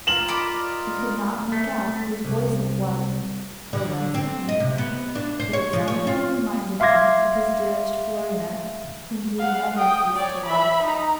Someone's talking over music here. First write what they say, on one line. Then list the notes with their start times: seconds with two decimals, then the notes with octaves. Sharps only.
He could not make out whose voice it was, or whence it came, but it somehow reminded him of his dearest Florina, whom he had never ceased to love.
0.07 F4 A#4 E7 F#7
0.28 D5 D#5 B5
1.52 A3
2.25 C2
3.73 D3
4.14 C4
4.49 D#5
4.60 C3
4.78 B3
5.15 D4
5.40 C5
5.53 C#5
5.73 F3
5.88 C#5
6.07 F4
6.80 E5 F5 C6 D6 G#6 A#6
9.38 F5 F#5
9.77 G5 D#6
10.17 C#5 D5
10.46 E5 B5
10.83 D#4 A#5